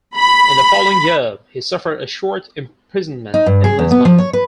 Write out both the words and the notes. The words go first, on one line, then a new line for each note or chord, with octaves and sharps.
In the following year he suffered a short imprisonment in Lisbon.
B5
D#4
G2
G#4
E2
B3
F3
C#5
B4